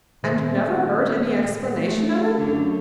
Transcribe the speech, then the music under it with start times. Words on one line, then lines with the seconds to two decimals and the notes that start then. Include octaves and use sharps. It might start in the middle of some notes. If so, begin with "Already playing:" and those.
"And you never heard any explanation of it?"
0.23 A#2 D#3 C5 E5
1.80 A3
2.37 F#2 D3